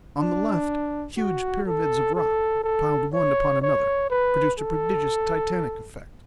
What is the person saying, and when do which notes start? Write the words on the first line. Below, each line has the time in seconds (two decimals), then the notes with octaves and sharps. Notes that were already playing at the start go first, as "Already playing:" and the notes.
On the left huge pyramids of rock, piled one upon another, produced a prodigious titanic effect.
0.20 D4
1.17 F#4
1.67 A4
2.15 A4
2.64 A4
3.13 C#5
3.62 C#5
4.10 B4
4.59 A4